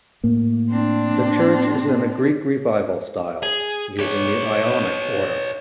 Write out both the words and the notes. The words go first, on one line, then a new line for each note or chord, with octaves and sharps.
The church is in a Greek revival style, using the Ionic order.
A2 A#3
C4 D4
G#4
B4 C#5